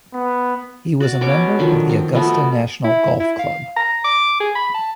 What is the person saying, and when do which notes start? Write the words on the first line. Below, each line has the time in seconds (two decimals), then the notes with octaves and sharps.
He was a member of the Augusta National Golf Club.
0.14 B3
1.00 F#4 D5
1.21 B2 C#4 C#5 D6
1.59 D3 D#3 F3 F#3
1.89 C4
2.15 B2 F3 A3 B3
2.84 E4
3.20 E4
3.39 F5
3.76 A#5
4.04 D6
4.40 G#4
4.56 B5
4.75 A5